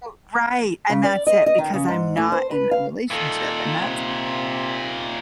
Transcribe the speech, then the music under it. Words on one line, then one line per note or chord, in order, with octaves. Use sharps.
oh right, and that's it because I'm not in a relationship, and that's
C#3
D5
D#5
D#5
D#3
C#3
G#2
A2
C5
B4
F5
A#2 D#3 A4
C3